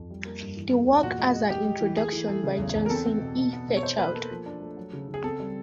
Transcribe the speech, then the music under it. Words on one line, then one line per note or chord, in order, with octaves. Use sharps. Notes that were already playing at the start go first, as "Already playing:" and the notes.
The work has an introduction by Johnson E. Fairchild.
Already playing: F2
G3
A#3
G2
E3
A3
E2
A#2 F#4
G#3
G#3
G#3 G4
G#3
E3
A3 G#4
E3
A3
C#3
E2
E2
A#4
C4 A4
C4
B2
B2
B3
B2
C#5
D#4 C5
A#3 B4
A#3 A4
F3
D4
A3
F#3
C#3
C#3
G#4
C4 A4
G3